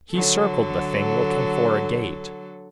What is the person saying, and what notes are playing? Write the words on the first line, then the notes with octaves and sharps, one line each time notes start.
He circled the thing, looking for a gate.
D3 F#3 A4